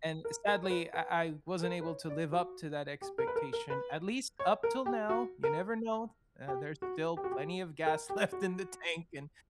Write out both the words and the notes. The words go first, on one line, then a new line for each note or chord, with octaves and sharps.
and sadly, I I wasn't able to live up to that expectation, at least up till now, you never know, uh, there's still plenty of gas left in the tank, and,
A#4
A#4
C#5
B4
B4
A#4
B4
C#5
D5
F#4
G4
A#4
B4
A#4
A#4
B4
C#5
A#4
G4
F#4
A#4
G4
F#4
G4
F#4
G4
A#4
G4
F#4